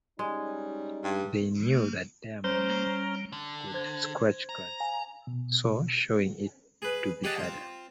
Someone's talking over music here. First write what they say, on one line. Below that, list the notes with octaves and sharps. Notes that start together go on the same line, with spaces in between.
They knew that diamond could scratch quartz, so showing it to be harder.
G3 G#3 C#4 D#4
G2
G3 C#4 C5 A#5 F6
D3
C5 G#6
A#5
F5 G#5
B2
G#4 B4
G4 G#4 D#5 F#5 A5
C4 F4